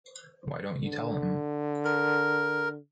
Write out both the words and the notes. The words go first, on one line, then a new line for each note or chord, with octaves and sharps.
Why don’t you tell him?
D3
A#4